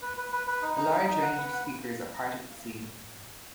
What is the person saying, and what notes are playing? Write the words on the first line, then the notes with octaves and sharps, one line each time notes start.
A large range of speakers are part of the scene.
B4
B4
B4
B4
D#4
D#4
D#4
D#4
F#5
B4
F#5